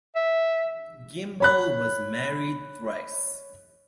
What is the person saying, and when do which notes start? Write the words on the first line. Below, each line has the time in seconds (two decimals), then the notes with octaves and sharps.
Gimbel was married thrice.
0.16 E5
1.40 C#5 B5 F#6